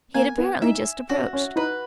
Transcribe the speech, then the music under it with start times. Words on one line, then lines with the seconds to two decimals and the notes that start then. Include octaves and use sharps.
He had apparently just approached.
0.14 A#3 G#5
0.38 B3
0.62 D#4 E5
1.09 C#4 F#4
1.33 C#4
1.56 D#4 B4